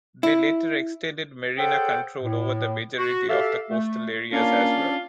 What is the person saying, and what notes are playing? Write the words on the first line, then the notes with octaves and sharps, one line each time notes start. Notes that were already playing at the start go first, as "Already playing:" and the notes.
They later extended Merina control over the majority of the coastal areas as well.
E4
G#4 A4 C5 C#5 F#5 G5
A2
F#4
G4 A4 E5 F5
A3
A#3 C#4 D4 F4